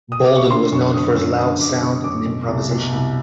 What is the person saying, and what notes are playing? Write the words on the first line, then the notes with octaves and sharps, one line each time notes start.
Bolden was known for his loud sound and improvisation.
D#6
D6
C#6
D3 C6
F#2 C#6
D3 D#6
F#2 E6
D3 D#6
F#2 D6
D3 C#6
F#2 D6
B2
C2
B2
C2